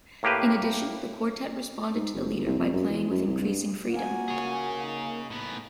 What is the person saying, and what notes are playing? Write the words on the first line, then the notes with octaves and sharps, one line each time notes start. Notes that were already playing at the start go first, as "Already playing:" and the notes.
In addition, the quartet responded to the leader by playing with increasing freedom.
A2 A#3 G4 B4
G#2
F#1
G1
C2
F2
F#2
E2
F#2
C2
G2
A#3 F#4 G#5
G#4 C#5
D#4
A2 B3